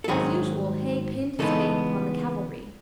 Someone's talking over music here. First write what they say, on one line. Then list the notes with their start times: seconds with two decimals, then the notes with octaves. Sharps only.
As usual Haig pinned his faith upon the cavalry.
0.04 A4
0.08 G#2 D#3 F#3 G#4
1.39 C#3 E3 G#3 B3 D#4 A4